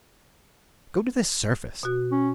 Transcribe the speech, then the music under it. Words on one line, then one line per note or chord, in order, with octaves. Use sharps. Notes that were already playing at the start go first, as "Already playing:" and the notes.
Go to the surface.
B2 F#4
C#4